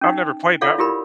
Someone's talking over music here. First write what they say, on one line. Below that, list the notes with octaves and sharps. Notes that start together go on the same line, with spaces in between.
I've never played that one.
C#4 D#4
F4 A4 C#5 D5 F5 F#5
E4 F4 G4 A#4 B5